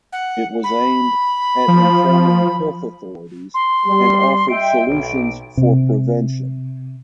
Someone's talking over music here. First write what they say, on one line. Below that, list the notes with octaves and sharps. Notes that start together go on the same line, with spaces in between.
It was aimed at informing health authorities and offered solutions for prevention.
F#5
B5
F3
C6
G3
D#5 E5 G5 D7
B1
C3